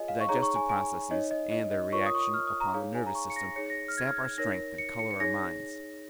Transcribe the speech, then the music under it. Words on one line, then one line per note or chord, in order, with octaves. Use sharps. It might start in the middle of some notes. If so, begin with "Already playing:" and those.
The digestive processes and their reaction upon the nervous system sap our strength and colour our minds.
Already playing: F4 G#4 C#5 D#5 G#5
F5
C#6
D#4 G#4 C#5 A#5
C#6
G#5
G#5
D#4 C#5 D#5
D#5
D#5
D#5
F4 A#4 C#5 C#6
D#6
C#6
D#6
F6
D#6
A#5
D#4 G#4 C#5 F5
G#5
A#5
C#6
C#7
A#6
D#4 G#4 C#5 C#7
A#6
F6
G#6
F6
G#6
D#4 A#4 C#5 A#6
C#7
C#7
C#7
D#4 G#4 C#5 A#6